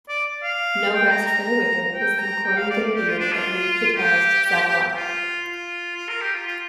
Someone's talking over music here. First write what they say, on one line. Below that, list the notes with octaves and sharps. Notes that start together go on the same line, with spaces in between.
"No Rest for the Wicked" is the recording debut of lead guitarist Zakk Wylde.
D5
F5
G5
A#5
A#5
G5
A#5
G5
F5
D5
G4
F4
D4
F4
G4
F4
F4
F4
A#4
G4
F4
F4